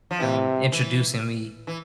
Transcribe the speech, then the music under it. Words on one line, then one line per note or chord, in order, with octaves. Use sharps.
um, introducing me
F3
C3 E3
E3
E3